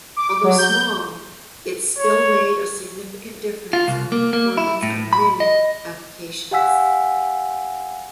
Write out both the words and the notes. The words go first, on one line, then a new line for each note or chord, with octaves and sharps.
Although small, it still made a significant difference in the performance of many applications.
D6
F#3
G6
C#5
F4
C2
A#3
A#3
E4
A2
B5
D#5
G4 F5 F#5 G#5 E6 B6